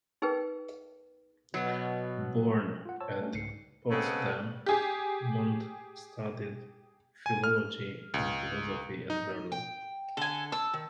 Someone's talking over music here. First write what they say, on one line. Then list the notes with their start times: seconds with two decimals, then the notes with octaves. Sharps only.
Born at Potsdam, Mundt studied philology and philosophy at Berlin.
0.22 D#4 G#4 A#4 B4 G5
1.54 B2 F#3 B3
2.85 F4 F#5
3.00 C5 C#5 A5 E6
3.20 G3 A3 C#4 D4 F#4
3.34 C2 G#2 C#3 C7 C#7
3.90 C#3 G#3 B3 C4 A4
4.66 G4 G#4
7.26 G#5
7.44 F6
8.14 C#2
9.10 D#4
9.52 G5
10.17 D3 A4 G#5
10.52 A5 E6
10.73 D#3